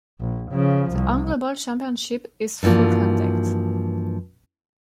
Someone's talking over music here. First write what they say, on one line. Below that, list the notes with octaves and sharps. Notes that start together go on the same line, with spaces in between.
The Angleball Championship is full contact.
A#1
C#3 F3
C2
G2 E3 F3 A#3 F#4